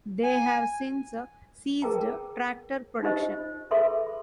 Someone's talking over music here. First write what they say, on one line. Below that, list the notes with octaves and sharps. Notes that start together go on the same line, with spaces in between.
They have since ceased tractor production.
G#5
G#4 A#4 B4 G5 A5 A#5
D#4 F4 G4 C5 D#5
G#4 A4 B4 E5 B5 C6